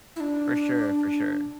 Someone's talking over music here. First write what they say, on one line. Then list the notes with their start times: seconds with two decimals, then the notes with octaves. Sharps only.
For sure, for sure.
0.16 E4
0.20 D4